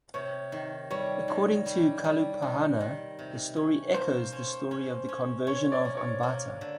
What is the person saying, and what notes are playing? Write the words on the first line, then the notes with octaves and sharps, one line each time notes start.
According to Kalupahana, the story "echoes" the story of the conversion of Ambattha.
C3 C#5
D#3
G3 C#5
D#3
G3
G3
D#3
D#3
C3
C#4
A#3 C5
C#4
C#4
C#4
C#4 C#5
D5
A#3
C#5
A#3
D3